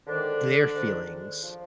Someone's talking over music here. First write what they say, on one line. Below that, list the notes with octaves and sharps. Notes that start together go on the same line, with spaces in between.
their feelings,
G#2 D3 D#3 D4
G#2 D#3
F3